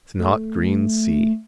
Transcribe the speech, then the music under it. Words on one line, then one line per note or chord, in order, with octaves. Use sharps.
The snotgreen sea.
A3